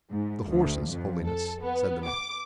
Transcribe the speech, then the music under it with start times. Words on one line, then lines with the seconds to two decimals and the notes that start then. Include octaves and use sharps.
"The horses, Holiness," said the man.
0.10 G#2
0.47 D2
0.89 F2
1.25 A4
1.62 B3
2.07 D6